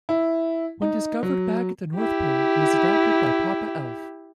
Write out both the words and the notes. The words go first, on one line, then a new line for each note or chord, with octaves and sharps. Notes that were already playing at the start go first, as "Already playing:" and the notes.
When discovered back at the North Pole, he is adopted by Papa Elf.
E4
D#4
F#3
E4 G4